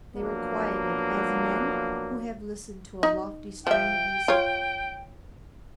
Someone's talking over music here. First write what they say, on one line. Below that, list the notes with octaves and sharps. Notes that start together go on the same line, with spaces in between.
They were quieted as men who have listened to a lofty strain of music.
F3 F#3 A#3 B3 D4
D#4
F3 E5 G5
F4 C#5